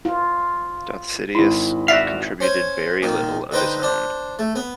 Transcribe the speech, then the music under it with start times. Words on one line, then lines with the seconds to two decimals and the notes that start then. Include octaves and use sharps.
Dositheus contributed very little of his own.
0.05 F4
1.35 G#1 E4 B5 C6
1.88 F#4 D5 E5 F5
2.40 C#4 C5 C#5
3.03 A#2 D#3
3.52 D3 D#4 B4 C5 G5
3.83 D4 C5
4.39 A3
4.55 B3